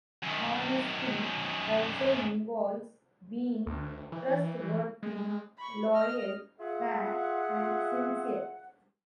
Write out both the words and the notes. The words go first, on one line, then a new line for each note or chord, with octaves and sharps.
Honesty also involves being trustworthy, loyal, fair, and sincere.
F#2 D#3
D2
E3
G#3
B5 C#6
D#5 F6
F4 G#4 E5 F#5